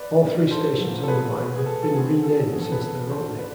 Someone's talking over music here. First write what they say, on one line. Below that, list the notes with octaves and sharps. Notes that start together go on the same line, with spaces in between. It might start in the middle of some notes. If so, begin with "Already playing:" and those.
All three stations on the line have been renamed since their opening.
Already playing: B4 D5
A2 F3 B3
A4 C5
G#2 F3 A3
A4
G#4 B4
B2 G#3 B3
G#4
A4
A4
B2 A3 C4 G#4
A4
F2 E3 B3 G#4
A4
G#4 B4
A4
D2 D3 G#3 A4 C5
B4 D5